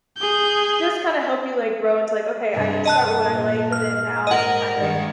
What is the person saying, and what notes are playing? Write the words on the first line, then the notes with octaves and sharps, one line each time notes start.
just kinda help you, like, grow into, like, "Okay. I start with what I like, but then now I can kinda,
G#4 G6
G2 C3
D#5 A5 F#6
A#2 A#3
F6
G#2 A#4 D#5 F#5
G2 D#3 G#3